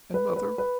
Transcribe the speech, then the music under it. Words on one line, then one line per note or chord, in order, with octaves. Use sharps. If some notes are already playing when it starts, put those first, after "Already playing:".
"And mother?"
B4
B4
B4